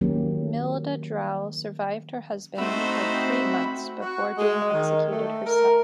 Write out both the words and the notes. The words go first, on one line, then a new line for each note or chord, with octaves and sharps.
Milda Draule survived her husband by three months before being executed herself.
D#3 F#3 A#3 C#4 G4
A3 C4 D#4 F#4 C5 E5 B5
F#4
G#3
D#3
A3
A#4